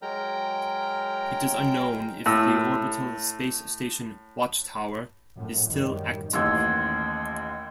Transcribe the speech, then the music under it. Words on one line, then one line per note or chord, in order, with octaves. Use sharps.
It is unknown if the orbital space station Watchtower is still active.
F#3 G#3 A#4 G5 A#5
A2 E6
F#2 A2
F#2 D#3 G3
A1 D#2 C6 E6 G#6